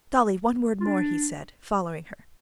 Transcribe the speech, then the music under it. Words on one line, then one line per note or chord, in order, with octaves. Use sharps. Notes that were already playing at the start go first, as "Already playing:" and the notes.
"Dolly, one word more," he said, following her.
F4
D4